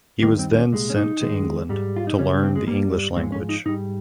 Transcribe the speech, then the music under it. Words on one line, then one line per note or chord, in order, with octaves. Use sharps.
He was then sent to England to learn the English language.
D#2 D#3 G3 A#3
C4
C#4
C2 A#2 G#3
C#4
D#4
D#2 D#3 G#3
G#2 G3
F4
D#4
C#2 C#3 G3 C#4
C4
G#3
G2 G3 A#3
G#2 F3 G#3 C4
C#4
D#4
G#2 G3 D#4